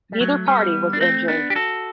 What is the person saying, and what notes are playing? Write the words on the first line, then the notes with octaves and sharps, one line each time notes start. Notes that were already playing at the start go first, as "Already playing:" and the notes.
Neither party was injured.
G3
F#3 A3
G3 B3
D4
A3 C4
B3 D4
G4
F#4 A4